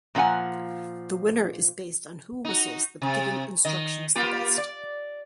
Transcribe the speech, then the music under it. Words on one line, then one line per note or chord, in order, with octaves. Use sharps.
The winner is based on who whistles the given instructions the best.
A#2 F3 D4 F#5 G#5
D#4 F#4
C3
D#3 D#5
A#3 F4 G4
D5